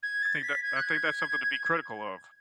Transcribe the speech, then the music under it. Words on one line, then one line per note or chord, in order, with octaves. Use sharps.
I think that I think that's something to be critical of.
G#6
A6
B6
G#6
F#6
G#6